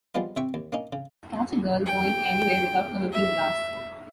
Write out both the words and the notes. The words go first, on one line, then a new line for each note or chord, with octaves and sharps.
Catch a girl going anywhere without a looking-glass.
F3 G3 G#3 B3 F4
C3 C4 E5 G5 C#6
D#2
A#3 C#4 D#4
C#3
G5
E5